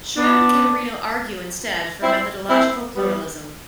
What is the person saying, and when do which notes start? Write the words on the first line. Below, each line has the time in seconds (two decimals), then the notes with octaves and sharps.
Schram and Caterino argue instead for methodological pluralism.
0.18 B3 D4
2.03 C4 E4
2.49 C4 E4
2.96 G3 B3